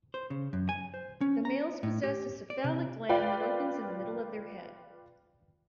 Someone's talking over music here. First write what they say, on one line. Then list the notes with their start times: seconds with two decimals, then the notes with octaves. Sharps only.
The males possess a cephalic gland that opens in the middle of their head.
0.14 C5
0.30 C#3
0.53 F#2
0.69 G#5
0.94 C5
1.21 C#4
1.45 A#5
1.83 A2
2.03 G4
2.50 D5
2.64 C3
3.09 F4 B4 D5 F5 G5